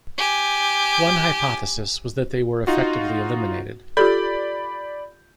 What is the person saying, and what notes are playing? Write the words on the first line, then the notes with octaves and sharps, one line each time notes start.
One hypothesis was that they were effectively eliminated.
G4 G#5
D#4 F4 F#4
F4 G4 A4 D5 B5 G6